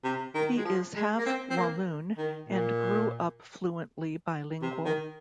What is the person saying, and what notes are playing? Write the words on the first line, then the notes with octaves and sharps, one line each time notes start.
He is half-Walloon, and grew up fluently bilingual.
C3
D#3
G#3
F3
G#3
A#3
C4
C4
A#3
D#3
A#2
C3
D#3